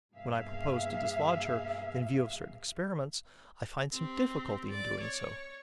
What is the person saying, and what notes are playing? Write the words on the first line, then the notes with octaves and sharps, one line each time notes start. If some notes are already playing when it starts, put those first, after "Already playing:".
When I propose to dislodge her in view of certain experiments, I find some difficulty in doing so.
G2 B2 A#3 G#4 E5 F5
C4 G4
D5
C#5